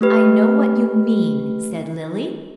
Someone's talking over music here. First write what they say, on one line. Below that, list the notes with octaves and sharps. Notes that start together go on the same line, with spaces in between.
"I know what you mean," said Lily.
A3 G4 B4